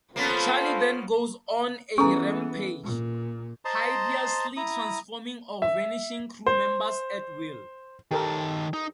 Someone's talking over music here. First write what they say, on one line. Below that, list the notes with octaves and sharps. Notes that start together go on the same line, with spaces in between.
Charlie then goes on a rampage, hideously transforming or vanishing crew members at will.
A#3 B3 C#4 F4 A4 C5
E3 B3 C#4 G#4 A4 A#5
A#2
C5 D#5 A5 A#5 C6
E4 A#5 D#6
E5
C5
D#3 G4 A4 A#4 A5
D#4